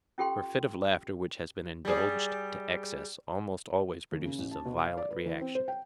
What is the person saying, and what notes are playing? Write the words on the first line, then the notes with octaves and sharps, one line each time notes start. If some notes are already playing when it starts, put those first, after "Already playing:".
For a fit of laughter which has been indulged to excess almost always produces a violent reaction.
C#4 F4 G4 A4 G5 C6
G3 G#4
D#2
C#3
A1
A5
B2
F5
D5
B4
E3
C4
C5
G5